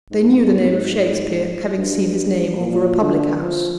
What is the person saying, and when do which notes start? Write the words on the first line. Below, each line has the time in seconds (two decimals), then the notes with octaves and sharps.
They knew the name of Shakespeare, having seen his name over a public-house.
0.11 G#2
1.77 G2
2.60 A#2
3.01 D3
3.43 F3